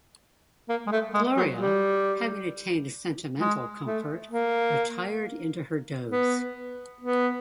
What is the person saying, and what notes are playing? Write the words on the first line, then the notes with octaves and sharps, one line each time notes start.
Gloria, having attained sentimental comfort, retired into her doze.
A#3
G#3
A3
G#3
F#3
G3
G#3
A3
A#3
B3
B3